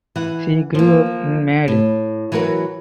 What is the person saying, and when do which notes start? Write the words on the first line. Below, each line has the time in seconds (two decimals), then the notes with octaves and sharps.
She grew up in Made.
0.16 E3 F#5
0.75 F3 A#3
1.68 A2
2.32 E3 F#3 F#4 A#4 B4